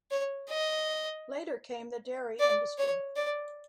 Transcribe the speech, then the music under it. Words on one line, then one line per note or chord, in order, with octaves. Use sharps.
Later came the dairy industry.
C#5
D#5
D5
C#5
D5